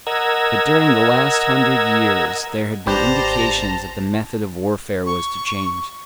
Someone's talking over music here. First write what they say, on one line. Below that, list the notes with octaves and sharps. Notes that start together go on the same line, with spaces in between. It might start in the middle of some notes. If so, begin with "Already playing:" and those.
But during the last hundred years there had been indications that the method of warfare was to change.
A#4 D#5 F#5 A#5 E6 G#6
G#1 G4 B4 C5 D5 A5 A#5
C#6